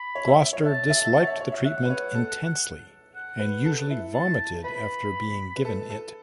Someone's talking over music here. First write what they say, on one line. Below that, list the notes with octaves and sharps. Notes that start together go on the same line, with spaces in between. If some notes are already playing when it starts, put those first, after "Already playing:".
Gloucester disliked the treatment intensely, and usually vomited after being given it.
Already playing: B5
C#5
E5
E5
C#5
E5 A5
E5
E5
F#5
C#5
E5
C#5
E5
E5 F#5
B4
C#5
A4
F#5
B4
A4
E4
A5
B4 B5
B4
A4
A4